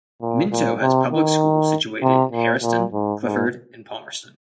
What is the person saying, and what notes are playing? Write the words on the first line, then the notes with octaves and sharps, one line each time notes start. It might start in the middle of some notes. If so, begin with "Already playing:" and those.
Minto has public schools situated in Harriston, Clifford and Palmerston.
A#2
A#2
C3
D#3
C3
A#2
A#2
G#2
G#2